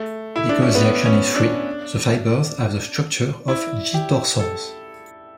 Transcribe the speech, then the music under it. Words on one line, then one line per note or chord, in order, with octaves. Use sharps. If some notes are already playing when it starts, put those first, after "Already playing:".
Because the action is free, the fibers have the structure of "G"-torsors.
Already playing: A3
E4
D4
C#4
B3
C#4
D4
E4
G4
A4